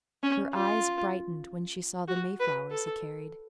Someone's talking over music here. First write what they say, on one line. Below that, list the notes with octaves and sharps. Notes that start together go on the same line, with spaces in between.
Her eyes brightened when she saw the mayflowers he carried.
C#4
F4
F#4
B4
A4